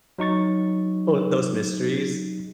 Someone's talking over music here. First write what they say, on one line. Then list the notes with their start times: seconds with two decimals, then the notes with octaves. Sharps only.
all those mysteries.
0.19 F#3 D#4 C#6 A6